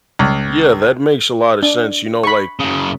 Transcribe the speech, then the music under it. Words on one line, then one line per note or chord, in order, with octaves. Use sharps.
Yeah, that makes a lot of sense. You know, like,
C#2
D4
B5 C#6
F#2 C#3